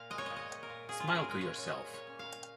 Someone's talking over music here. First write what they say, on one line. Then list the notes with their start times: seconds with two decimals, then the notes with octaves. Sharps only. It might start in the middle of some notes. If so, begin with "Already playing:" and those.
Smile to yourself.
Already playing: A#2 F5
0.10 G#3 D#5
0.18 C#5
0.26 A#2 D#5
0.36 D#5
0.50 A#2
0.63 A#4
0.70 A#2
0.89 A#2 G#4
1.00 F4
1.08 C#4 G#4
1.15 A#4
1.29 G#3 A#4
1.41 C#5
1.48 C#4
1.58 C#5
1.67 A#2 D#5
1.87 A#2
1.94 C#5
2.07 C#4
2.19 F5
2.26 A#2